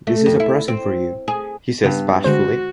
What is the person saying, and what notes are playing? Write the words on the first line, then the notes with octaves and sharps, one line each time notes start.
"This is a present for you," he says bashfully.
A3
F2
E4
C4
G#4
G2 C#3 B3
D3 G#3 F#4 C5